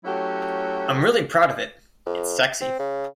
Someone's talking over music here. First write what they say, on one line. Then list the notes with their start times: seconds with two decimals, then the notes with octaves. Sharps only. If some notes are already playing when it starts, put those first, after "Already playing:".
I'm really proud of it... It's sexy.
0.05 F#3 A3 C#4 E4 F#4 G4
2.06 F2
2.61 C4
2.79 C#3